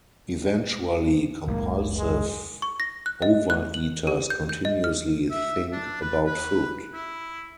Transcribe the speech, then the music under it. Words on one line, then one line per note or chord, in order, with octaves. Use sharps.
Eventually, compulsive overeaters continuously think about food.
F#1 C#2 A2 A#3
G#3
C#6
A#6
F#6
D#5
F#6
F#7
G4
G6
G6
D#5
F6
E5
D4
B4
B4
E4